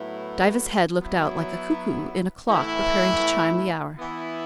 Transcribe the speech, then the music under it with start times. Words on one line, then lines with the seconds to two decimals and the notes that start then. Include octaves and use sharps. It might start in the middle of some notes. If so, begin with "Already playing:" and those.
Diva's head looked out like a cuckoo in a clock preparing to chime the hour.
Already playing: A2 F#3 B3 E4
1.00 F#3 B3 E4
2.49 A2 E3 B3 E4
3.98 E3 B3 E4